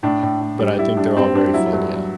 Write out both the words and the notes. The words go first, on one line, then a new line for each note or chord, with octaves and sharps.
but I think they're all very fun, yeah.
A2 D4
A2
A2
G3
G3 E4
G3 D4
G3 C4
G3 D4
F#3 E4
G2
F#3